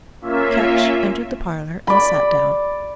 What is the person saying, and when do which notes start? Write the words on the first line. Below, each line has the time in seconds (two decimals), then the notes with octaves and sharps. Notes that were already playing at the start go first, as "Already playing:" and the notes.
Ketch entered the parlour, and sat down.
0.21 A#3 C#4 F4 E5
1.87 D5 B5